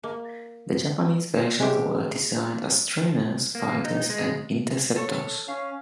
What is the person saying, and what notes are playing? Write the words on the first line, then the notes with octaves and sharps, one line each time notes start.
The Japanese versions were designed as trainers, fighters, and interceptors.
A#3
G#3 C#4 E4 G4
A#3
D#4
G#3
A4 C#5
C#4 F5